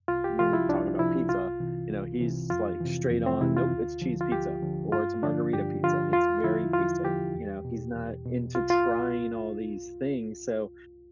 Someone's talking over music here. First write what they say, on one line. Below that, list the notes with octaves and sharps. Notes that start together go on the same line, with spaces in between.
when we talk about pizza, you know, he's, like, straight on, nope, it's cheese pizza, or it's a margarita pizza. It's very basic, you know, he's not into trying all these things. So,
C2 F4
G4
C3 F3 F4
E4
C2 D4
C3 F3 E4
C2 F4
C3 E3
C2
C3 E3
F2 F4
C3 E3
F2
C4
C3 E3 E4
F4
D2
D3 F3
F4
D2 G4
D3 F3
G2 F4
D3 F3 D4
G2 G4
D3 F3 F4
E2 F4
D3 F3 E4
E2 F4
D3 F3 G4
E2
B2
E2
B2
C2 F4
F4